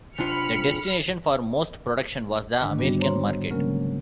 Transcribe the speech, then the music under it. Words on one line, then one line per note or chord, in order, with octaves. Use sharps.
The destination for most production was the American market.
C3 D4 F4 B5 F6 C#7
G#2 D3 D#3 D4
G3 B3 D4 F#4
C5 C#5 A#5 C6
C#3 F#3 G#3 A#3 C#4 A#4